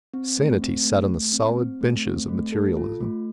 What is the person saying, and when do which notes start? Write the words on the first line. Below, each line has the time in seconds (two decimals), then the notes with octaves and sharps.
Sanity sat on the solid benches of materialism.
0.14 C4
0.38 A3
0.62 C4
0.85 A3
1.09 A3
1.33 C4
1.57 C4
1.81 A3
2.05 C4
2.29 A3
2.52 A4
2.77 F4
3.00 A3